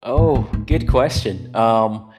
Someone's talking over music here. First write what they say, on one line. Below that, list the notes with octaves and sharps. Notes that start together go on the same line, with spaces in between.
Oh, good question, um,
G#2
G#2
G#2
A#2
B2